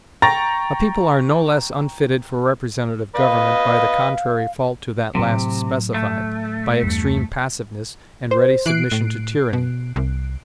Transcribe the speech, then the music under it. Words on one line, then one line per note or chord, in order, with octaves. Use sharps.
A people are no less unfitted for representative government by the contrary fault to that last specified--by extreme passiveness, and ready submission to tyranny.
G5 A#5 C#6 A6 A#6
B4 D#5 F5
A2 C3 F#3
A3
E2 G2
C5
E3 F#6 C7 D7
A2
B2
C2